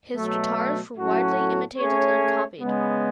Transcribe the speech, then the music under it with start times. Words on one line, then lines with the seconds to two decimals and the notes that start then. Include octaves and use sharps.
His guitars were widely imitated and copied.
0.14 B2 F#3 A3
0.96 A2 F#3 C#4 F#4 A4
1.77 A3 C#4 G#4 C#5
2.60 C#3 G#3 B3